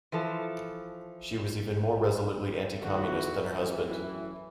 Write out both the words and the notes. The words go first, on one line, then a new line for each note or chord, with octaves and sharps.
She was even more resolutely anti-Communist than her husband.
E3 F3 A4
D#3 A3 E4 F#4
F#2 A2 E3